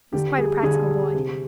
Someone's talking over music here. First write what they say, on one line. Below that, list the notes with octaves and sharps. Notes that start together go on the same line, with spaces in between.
He was quite a practical boy.
D3 G4
G3 G#4
D3 G#4
G3
C3